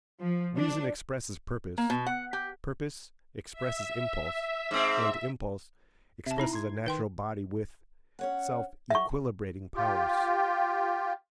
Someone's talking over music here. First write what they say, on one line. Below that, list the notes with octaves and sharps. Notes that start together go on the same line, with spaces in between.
Reason expresses purpose, purpose expresses impulse, and impulse expresses a natural body with self-equilibrating powers.
F3
D4
A#3
B2
F#5
G4
E5
G#2 C4
C3 E5 A5
D#4 E4 A#5
C6 G#6
D#3 B4 G5 C6
C#4 C#5 F#5
F#3 E5 C#6
F4 G4